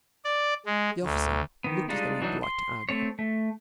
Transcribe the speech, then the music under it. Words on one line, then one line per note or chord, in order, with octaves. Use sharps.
The officer looked as though he would like to argue.
D5
G#3
D2
D#3 B3
G3 G#3 D4 D#4 F4
E3 F#3 D4 D#4
C6
A3 C4 C#5
A3